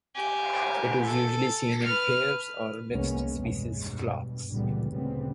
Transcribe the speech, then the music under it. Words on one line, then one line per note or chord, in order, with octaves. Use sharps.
It is usually seen in pairs or mixed-species flocks.
G4 G#5
A4
B4 F6
F1 C2 G#3 A#3 B3 C#4
E2 G2 B2 G#3
G2 B2
C#2 A#2 D3 E3 G3 B3
D2 A#2 C#3 G3 B3 C4